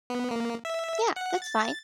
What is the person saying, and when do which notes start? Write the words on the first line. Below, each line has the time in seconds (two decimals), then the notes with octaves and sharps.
Yeah, that's fine.
0.10 B3
0.31 A#3
0.65 E5
1.16 F#5
1.42 A6